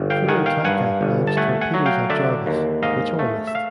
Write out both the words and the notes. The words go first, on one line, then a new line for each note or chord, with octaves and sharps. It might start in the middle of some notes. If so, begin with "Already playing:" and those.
"Furutaka" launched torpedoes at "Jarvis", which all missed.
Already playing: G1
F5 G5
D#3 F#5 G#5
F5 G5
G2 F#5 G#5
G1
A5
A3 F#5 G#5
F#5 G#5
F#3
F5 G5
D3 D5 E5
D#2
G#2 D#5 F5
A3
E5
F5